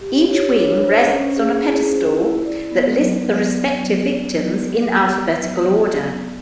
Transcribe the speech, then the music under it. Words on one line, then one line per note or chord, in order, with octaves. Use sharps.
Each wing rests on a pedestal that lists the respective victims in alphabetical order.
G4
C#5
D4
C5
C#4
G#4
E4
C5
E4
D5
B3
F#3